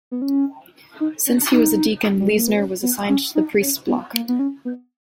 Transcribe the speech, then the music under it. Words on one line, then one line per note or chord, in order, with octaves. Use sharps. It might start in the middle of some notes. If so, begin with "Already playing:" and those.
Since he was a deacon, Leisner was assigned to the priests' block.
B3
C#4
D#4
C#4
D#4
G3
G#3
A#3
B3
C#4
B3
C#4
D#4
C#4
B3
A#3
B3
C#4
B3